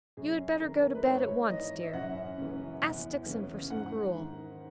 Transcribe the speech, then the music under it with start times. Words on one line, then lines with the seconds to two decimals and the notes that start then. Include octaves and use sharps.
You had better go to bed at once dear. Ask Dixon for some gruel.
0.17 F#2 G#4
0.61 D#3 A#4
0.95 B4
1.05 G#2 C#5
1.49 E3 D#5
1.83 E5
1.93 F#2 F#5
2.38 C#3 E3
2.82 E2
3.26 C#3 E3
3.70 G#2 F#5
4.15 D#3